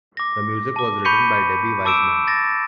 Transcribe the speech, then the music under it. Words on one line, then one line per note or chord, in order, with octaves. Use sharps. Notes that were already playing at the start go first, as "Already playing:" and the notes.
The music was written by Debbie Wiseman.
D6 A#6
A5 D6
B5 C#6 G6 B6 C#7 D#7
A5 D6 E6 D7 E7
A6 A#6